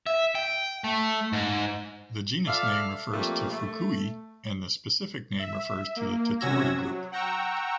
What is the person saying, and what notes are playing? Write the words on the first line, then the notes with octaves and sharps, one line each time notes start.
The genus name refers to Fukui and the specific name refers to the Tetori group.
E5
G5
A3
G#2
A4 D5 E5 F5
F3 G3 A3 A#3 C4
A3
E5
A#3
C3 C#4 F#4 E6 G#6 A#6
F#3
F#5 G5 A#5 C#6 E6